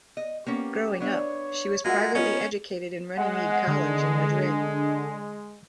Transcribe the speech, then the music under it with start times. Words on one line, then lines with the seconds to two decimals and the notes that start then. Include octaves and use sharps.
Growing up, she was privately educated at Runnymede College in Madrid.
0.17 D#5
0.47 A#3 B3 C#4 G4
1.00 B3 D4 C#5 E5
1.85 G#3 F4 F#4 A#4 E5 F#5
2.15 B3 C#4 F4 D#5
3.17 G#3 F#5
3.67 D3